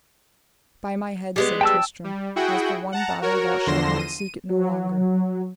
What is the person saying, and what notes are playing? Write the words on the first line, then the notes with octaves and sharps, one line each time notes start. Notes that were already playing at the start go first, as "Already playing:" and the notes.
By my head, said Tristram, as for one battle thou shalt not seek it no longer.
G3 G#3 B3
G5 A5 E6
G3
E4 F#4 G#4 F#5 G5
F#5 A5 A#5
F#4 A#4 C#5
E2 D3 F3 C6 A#6 E7
D#7
F#3